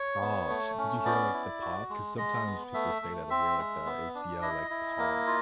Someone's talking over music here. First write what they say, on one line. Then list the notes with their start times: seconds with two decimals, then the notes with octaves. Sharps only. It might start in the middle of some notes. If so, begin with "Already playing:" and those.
Ah, sh did you hear, like, the pop? 'Cause sometimes people say that they hear, like, the ACL, like, pop.
Already playing: C#5
0.22 B3
0.49 A3
0.78 C#4
1.05 B3 D5
1.34 E4
1.62 F#4
1.90 G#3
2.18 G#3 D#5
2.46 B3
2.74 A3 E5
3.02 A3
3.30 C4 E5
3.58 G#3
3.86 B3
4.15 D4
4.42 E4 D#5
4.70 E4
4.99 A#3
5.27 F4